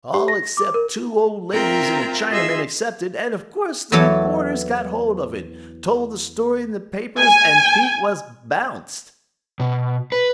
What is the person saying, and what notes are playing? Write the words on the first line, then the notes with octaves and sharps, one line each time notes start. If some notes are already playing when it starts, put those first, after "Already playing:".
All except two old ladies and a Chinaman accepted and of course the reporters got hold of it, told the story in the papers and Pete was bounced.
G4
A#6
D6
A#4
C4 F4 A#4 E5 G5 A#5
F4 G#4 D#5 E5 C6 E6
E2 E3 F#3 A4 C#5
G#5
B2
B4